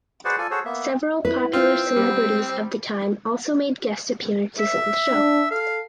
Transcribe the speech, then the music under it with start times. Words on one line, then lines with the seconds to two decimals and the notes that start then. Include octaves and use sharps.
Several popular celebrities of the time also made guest appearances on the show.
0.25 F#4 G#4 B4 C5 D5 F#5
0.38 F4 A4 D5 G#5
0.51 F#4 G#4 A4 C5 C#5
0.65 A#3 B3 E5
1.25 E4 B4
1.53 C4 F4
1.96 G3
4.59 E5
5.13 D4
5.51 A4 F5